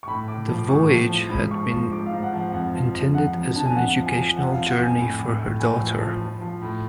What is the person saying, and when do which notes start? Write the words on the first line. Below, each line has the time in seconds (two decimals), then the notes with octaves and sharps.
The voyage had been intended as an educational journey for her daughter.
0.03 C#6
0.07 A2 B5
0.28 A2 D6
0.48 F3
0.58 D6
0.68 A2 C#6
0.89 F3
1.09 F3
1.30 G#2 B5
1.51 F3 C#6
1.71 F3 C#6
1.92 G#2 D6
2.06 F5
2.12 G#2
2.23 F#5
2.33 F3 F#5
2.52 F2 F#5
2.74 F3
2.94 F2
3.14 F3 F#5
3.35 F2
3.55 D3 A5
3.65 G#5
3.75 F2 F#5
3.96 F3
4.06 G#5
4.16 F3
4.36 F2 F#5
4.52 F5
4.57 F3
4.68 F#5
4.78 F2
4.83 G#5
4.98 A2 G#5
5.19 A2
5.39 A2
5.59 A2 G#5
5.81 F3
6.01 F3
6.21 F3
6.41 F3
6.61 A2